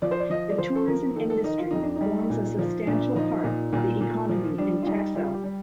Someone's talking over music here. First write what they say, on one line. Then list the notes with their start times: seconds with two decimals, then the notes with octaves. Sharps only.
The tourism industry forms a substantial part of the economy in Texel.
0.02 F3 D5
0.11 C5
0.20 D5
0.30 F3 D#5
0.50 D5
0.58 F3 C5
0.75 A4
0.87 F3 A#4
1.15 D#3 A4
1.30 A4
1.44 D#3 D#4
1.58 F4
1.71 F2 D#4
1.83 D4
1.95 D#4
2.01 G3
2.30 A#2
2.59 F3
2.87 A#2 D4
3.15 F3 D#4
3.44 A#2
3.73 A#2
4.01 A#2
4.29 F3
4.58 G3 D4
4.83 F4
4.86 G3 D#4
5.15 G3 F4
5.34 G4
5.44 G3